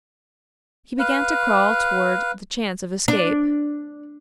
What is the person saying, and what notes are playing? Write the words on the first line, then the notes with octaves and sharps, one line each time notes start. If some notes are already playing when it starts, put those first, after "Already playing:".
He began to crawl toward the chance of escape.
B4 F5
D4